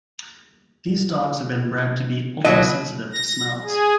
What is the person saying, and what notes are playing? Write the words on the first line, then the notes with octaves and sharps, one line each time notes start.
These dogs have been bred to be ultra sensitive to smells.
C#2 B2 F#3 D#5
A#6
G#4